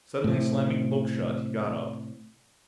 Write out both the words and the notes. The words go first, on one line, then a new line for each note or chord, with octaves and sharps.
Suddenly slamming the book shut, he got up.
A2 C3